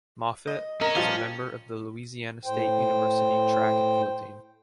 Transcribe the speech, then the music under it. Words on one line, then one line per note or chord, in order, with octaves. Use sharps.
Moffitt was a member of the Louisiana State University track and field team.
D#5
C#4 A#4 D#5 E7
F3 G3 D4 F4 G7
A2 C5 G5